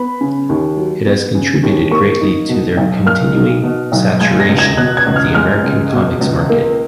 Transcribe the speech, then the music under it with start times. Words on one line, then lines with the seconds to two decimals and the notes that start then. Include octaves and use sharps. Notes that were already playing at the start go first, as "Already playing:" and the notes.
It has contributed greatly to their continuing saturation of the American comics market.
Already playing: B3 B5
0.21 C#3
0.49 D#2
0.77 F#3
1.06 B3
1.35 C#3
1.63 D#2
1.91 A#3 C#6
2.21 D#4
2.49 B2
2.77 B1
3.06 A#3 F6
3.35 D#4
3.63 B2
3.92 B1
4.21 G#3 G#6
4.40 A#6
4.49 C#2
4.58 G#6
4.77 B2 F#6
4.97 G#6
5.06 C#2
5.16 F6
5.35 G#3 F6
5.64 C#2
5.93 B2
6.21 C#2
6.50 A#3